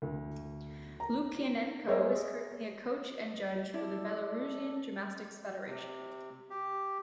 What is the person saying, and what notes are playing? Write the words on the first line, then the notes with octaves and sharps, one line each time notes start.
Loukianenko is currently a coach and judge for the Belarusian Gymnastics Federation.
D2
A#5
G#4 A#4 C5 C#5 D#5 E5
E4 A4 D5
C3
G4